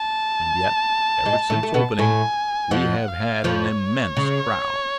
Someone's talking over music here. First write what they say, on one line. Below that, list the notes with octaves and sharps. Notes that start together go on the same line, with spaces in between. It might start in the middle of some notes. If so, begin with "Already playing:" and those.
And yet, ever since opening, we have had an immense crowd.
Already playing: A5
G#2 G#3
A2 A3
A3
B2 B3
A2 A3 G#5
F2 F3 F#5
F5
F2 F3 C#5
C#3